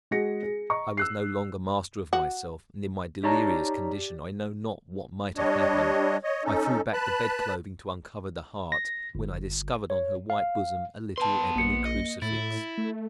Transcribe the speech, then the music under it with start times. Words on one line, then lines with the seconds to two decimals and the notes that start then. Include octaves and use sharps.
I was no longer master of myself, and in my delirious condition I know not what might have happened; I threw back the bedclothing to uncover the heart, when I discovered on her white bosom a little ebony crucifix.
0.11 G#3 F#4 G#4 A#6 C#7
0.43 G#4
0.70 D#5 A#5 C#6
0.97 E6 F#6 C7
2.13 F#4
3.24 D#4 G4 C#5 D5 A5 A#5
5.37 G3 D4 C#5 D#5
6.24 C#5 D#5
6.44 C#4 D#4 A4
6.93 B4 A5 B5 F#6
8.72 A#6
9.15 G1
9.90 C#5
10.30 F5
11.18 B3 B4 A5 C6
11.56 A#1 A#3 C#7
11.85 D#5
12.22 A2 E4 A6
12.78 A3